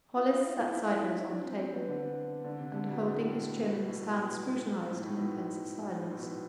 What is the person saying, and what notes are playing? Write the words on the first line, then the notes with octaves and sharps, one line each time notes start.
Hollis sat sideways on the table and, holding his chin in his hand, scrutinized him in pensive silence.
F4
F4
E4
F4
E4
E4
E4
E4
D4
C4
C4
B3
D3
D3
C3
D3
B2
A2
B2
A2
B2
A2
G#2
G#2
A2
B2
G#2
A2
B2